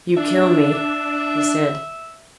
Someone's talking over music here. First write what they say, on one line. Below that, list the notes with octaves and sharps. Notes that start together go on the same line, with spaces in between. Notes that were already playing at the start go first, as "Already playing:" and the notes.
"You kill me!" he said.
D4 E5